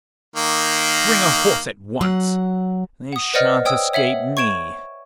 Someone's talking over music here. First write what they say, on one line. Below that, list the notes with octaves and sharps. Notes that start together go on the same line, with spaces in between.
'Bring a horse at once; they shan't escape me.'
D#3 A#3
F#3 F#5
F#5 D#6
B4 C5 D5 D#5 F#5 F6
C#5 G5 D#6 E6
C#5 E5 F#5 F#7
C#6 G#6 D7 E7